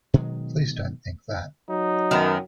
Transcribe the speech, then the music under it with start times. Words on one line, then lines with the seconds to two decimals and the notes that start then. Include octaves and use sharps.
Please don't think that.
0.14 B2 D#3 F#3 G#3
1.70 F#3 D#4
2.11 F#2 D#3 B3